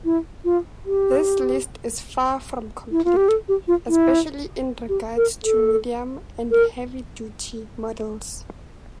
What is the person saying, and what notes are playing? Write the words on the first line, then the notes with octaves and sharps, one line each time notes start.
This list is far from complete, especially in regards to medium- and heavy-duty models.
E4
F4
G4
E4
F4
G4
A4
G4
F4
E4
G4
A#4
A4
A#4